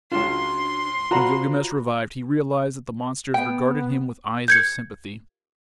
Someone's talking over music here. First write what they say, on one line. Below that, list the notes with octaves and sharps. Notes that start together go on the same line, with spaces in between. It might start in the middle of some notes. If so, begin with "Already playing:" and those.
When Gilgamesh revived, he realized that the monsters regarded him with eyes of sympathy.
C#2 D4 F4 F#4 C6
F4 F#4 C5 D5 A#5 B5
B3 G5
G6 G#6 C#7